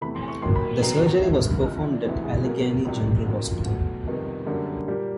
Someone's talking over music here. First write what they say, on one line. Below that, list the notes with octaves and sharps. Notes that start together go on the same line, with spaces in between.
The surgery was performed at Allegheny General Hospital.
E2 C3 E3 A3 B5
C6
C#6
D#2 D#3 F#3 A#3 C6
B5
D#2 C#3 F#3 B3 A#5
G2 D#3 G#3 E5
D2 C#3 F3 D#5
E5
D5
D2 C3 E3 G#3 C5
G#4
B2 F#3 A#3
C#2 C3 D#3 G3
F4
F2 C#3 F#3 A#3 F#4
F4
B2 F#3 A3 F#4
F2 C3 D#3 G3 B3
F#2 D3 G3 A#3
A#2 G3 A#3 G4